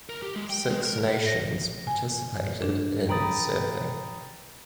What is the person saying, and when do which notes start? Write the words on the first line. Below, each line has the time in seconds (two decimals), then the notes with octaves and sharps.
Six nations participated in surfing.
0.10 A#4
0.23 G4
0.36 G#3
0.50 G5
0.71 G#3
0.86 A#4
1.26 A#6
1.87 G#5
2.62 D4
3.09 G5 A#5 B5 D#6 A6